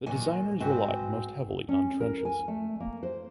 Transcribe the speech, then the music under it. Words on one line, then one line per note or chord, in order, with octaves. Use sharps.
The designers relied most heavily on trenches.
A#2 D#3 F#3 D#5 G#5
G#2 C4 F#4 B4 D#5
C#4
A#4
G#5
A3
A#3
C5